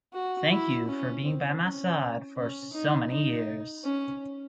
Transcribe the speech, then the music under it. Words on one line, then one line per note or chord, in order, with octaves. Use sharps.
Thank you for being by my side for so many years.
F#4
E4
C#4
C4
C#4
C#4
D#4
D#4
C#4